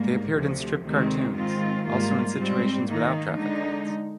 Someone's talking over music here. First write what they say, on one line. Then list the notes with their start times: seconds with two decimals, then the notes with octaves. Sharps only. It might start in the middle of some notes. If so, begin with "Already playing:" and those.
They appeared in strip cartoons, also in situations without traffic lights.
Already playing: G#2 G3 A#3
0.34 D2 C3 F3
0.84 D2 C3 D#3 G#3 C4
1.34 G#2 D#3 G#3 C4 F4
1.85 G#2 G3 A#3 F4
2.37 G#2 G3 C4
2.88 D#3 A#3 D#4
3.38 D3 G#3 D#4